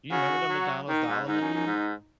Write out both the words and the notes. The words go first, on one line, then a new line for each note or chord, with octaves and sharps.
You remember the McDonald's dollar menu?
C#3 F#4
F#3
D#3 D#4
G#2
G#2 D#4
F#2
F#2
G#2